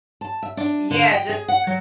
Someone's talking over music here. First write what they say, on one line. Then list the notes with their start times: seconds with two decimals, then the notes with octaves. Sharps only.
Yeah, just
0.21 A5
0.43 E5
0.57 D4
0.91 D3
1.11 G5
1.29 G#4
1.48 F#5
1.67 F#3